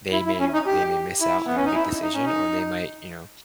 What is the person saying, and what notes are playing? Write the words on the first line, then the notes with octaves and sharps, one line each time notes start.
they may they may miss out on a big decision or they might, you know, uh,
E4
E4
C#4
D#4
G4
E4
B3
C#4
D#4
E4
D#4
C#4
D#4